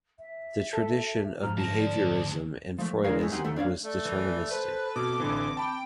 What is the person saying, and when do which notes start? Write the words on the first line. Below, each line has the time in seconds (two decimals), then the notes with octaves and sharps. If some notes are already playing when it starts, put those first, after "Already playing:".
The tradition of behaviourism and Freudism was deterministic.
0.19 E5
0.73 A4
1.41 G#2 F3 A#5 F6
1.58 D2 A5 A#6
1.78 D5
2.79 F3 A3
3.04 D3 G#3 D4 A#4 C#5 F5
3.19 G2 G#3 A3
3.32 C4 D#4 G4 F#5 G#5 C6
3.44 D#2 D#3 A3
3.56 D4 C#5 D5 F5
3.84 A3 D5
4.05 E3
4.51 A4 B4 C5
4.96 B2 C4 D6
5.20 A1 D3 E3
5.57 G5 A5 B5 D6